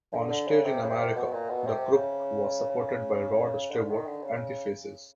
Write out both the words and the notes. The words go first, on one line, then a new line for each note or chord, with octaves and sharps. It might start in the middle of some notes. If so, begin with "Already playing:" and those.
On stage in America, the group was supported by Rod Stewart and the Faces.
D3
D3
C#3
C3
C#3
C3
B2
A#2
B2
C3
C#3
C#3
D3
D#3
D3
C#3